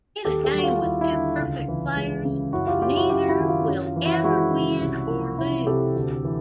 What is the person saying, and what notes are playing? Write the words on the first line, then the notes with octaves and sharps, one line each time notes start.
In a game with two perfect players, neither will ever win or lose.
D#2 G4 A4
G4 A4
G3 F#4
F4
D#2 E4
E4
D3 F4
C#2
E3
G#3
C#3
F#2 E4 F#4
F4 G4
F#3 F4 G4
E4 F#4
F#2 F4 G4
E4 F#4
D#3
F4
F#2
F4
E3
E4 F#4
G#3 E4 F#4
C#3
C2
F3
C2 E4
C3 G4 A4
D2
E3